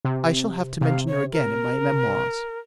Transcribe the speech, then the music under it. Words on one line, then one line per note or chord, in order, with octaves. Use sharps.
I shall have to mention her again in my Memoirs.
C3
C3 F5
C#5
A#4